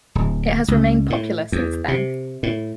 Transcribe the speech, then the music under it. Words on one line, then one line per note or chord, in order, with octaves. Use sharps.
It has remained popular since then.
D1
C#2
A2
E2
C3
A2